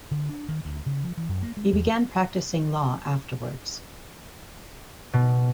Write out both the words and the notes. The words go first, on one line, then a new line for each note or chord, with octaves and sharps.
He began practicing law afterwards.
D3
D4
D#3
D2
C#3
F3
E3
F#2
A#3
G#3
E2
B2